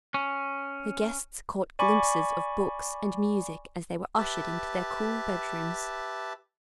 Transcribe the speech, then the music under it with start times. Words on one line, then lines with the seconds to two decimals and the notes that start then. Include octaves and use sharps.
The guests caught glimpses of books and music as they were ushered into their cool bedrooms.
0.14 C#4
1.79 D5 G#5 B5 C#6 D6
4.18 G4 B4 E5 A5